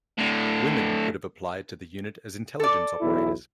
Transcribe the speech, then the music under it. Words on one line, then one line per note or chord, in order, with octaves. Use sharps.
Women could have applied to the unit as Intelligence Operators.
A2 D3
A4 D5
B1 E2 E4